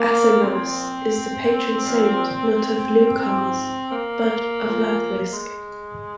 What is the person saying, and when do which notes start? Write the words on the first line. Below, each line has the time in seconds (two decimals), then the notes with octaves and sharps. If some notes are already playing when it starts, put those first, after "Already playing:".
Athernase is the patron saint not of Leuchars but of Lathrisk.
Already playing: A#3
0.43 A#2 F3 C4
1.83 A#2 F3
3.22 G#2 F3 C4
3.92 A#3
4.62 A#2 F3
5.32 G#3